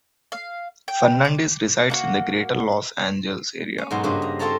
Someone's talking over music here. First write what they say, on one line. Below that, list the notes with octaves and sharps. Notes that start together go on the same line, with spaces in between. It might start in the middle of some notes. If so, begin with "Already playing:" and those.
Fernandez resides in the Greater Los Angeles area.
F5
G5
D6
A#3 D#4 F#4
C#4
G#2 B2 F#3 F#4 C6
G2 C#3 A#3 F#4 C5 D#5
A#5
C4 F4 A4 C#5 A5 A#5